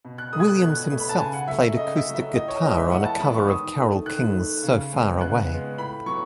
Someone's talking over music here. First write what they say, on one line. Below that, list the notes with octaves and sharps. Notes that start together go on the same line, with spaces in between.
Williams himself played acoustic guitar on a cover of Carole King's "So Far Away".
B2
F#6
A3 D#6
G#6
F#6
B2 F#6
A3
B5
A5
C#3 G#5
F#5
F#3 A3 E5
E5
C#3 D#5
E5
F#3 A3
E5
A2 D#5
C#5
E3 G#3 B3 D#5
E5
A2 F#5
A5
E3 G#3 B3 B5
C#6
D#3 D#6
A3
D#3 F#6
A3
C#3
G#3 B3
C#3 F#6
G#3 B3
A2 B5
F#3 B3 C#6